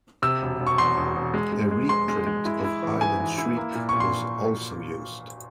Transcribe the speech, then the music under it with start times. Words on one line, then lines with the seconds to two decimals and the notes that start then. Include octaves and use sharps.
A reprint of Hyde and Shriek was also used.
0.22 C3 E6
0.42 E1
0.60 E1
0.67 C#6
0.78 E2 C6
0.97 E1
1.16 E1
1.34 G#3
1.52 G#3
1.71 G#3
1.89 G#3 C6
2.08 G#3
2.27 G#3
2.45 E4
2.64 E4
2.83 E3
3.01 G#2 G#5
3.19 E3
3.38 E4
3.57 A#3
3.75 A#2
3.89 C#6
3.94 A#2
4.00 C6